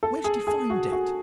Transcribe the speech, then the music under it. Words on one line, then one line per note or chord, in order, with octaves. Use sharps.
Where did he find it?
A4
G#4
G#4
F#4
F#4